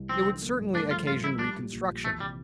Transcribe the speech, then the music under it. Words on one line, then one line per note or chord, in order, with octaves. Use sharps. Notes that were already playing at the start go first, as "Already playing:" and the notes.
It would certainly occasion reconstruction.
Already playing: C2
F3 C4
D3
A#3
G2
A3 D4
F3 F4
G2 F4
G2 E4
G3 D4
A#2
A#1
A#1
E3 A3
C3 G3